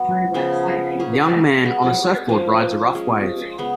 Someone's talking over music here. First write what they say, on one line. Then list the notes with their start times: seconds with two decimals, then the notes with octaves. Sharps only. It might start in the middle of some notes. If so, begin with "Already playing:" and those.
Young man on a surfboard rides a rough wave.
Already playing: F#3 B3 F#4
0.34 C#3 F3 B3
0.99 A#3 C#4 G#4
1.64 G#3 B3 F#4
2.29 F3 A#3 C#4
2.93 G#3 C#4 F4
3.58 C#3 G#3 B3